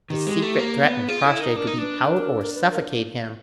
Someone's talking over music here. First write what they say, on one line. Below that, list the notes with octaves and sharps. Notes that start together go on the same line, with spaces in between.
The secret threatened Crossjay to be out or suffocate him.
D#3 G4
G#3
A3
A#3
B3
F4 G#4
E4 A4
A4
D#4 A#4
D4 A#4
D#4
D4 B4
A#4
A#4
A4
A#4
B4
A#4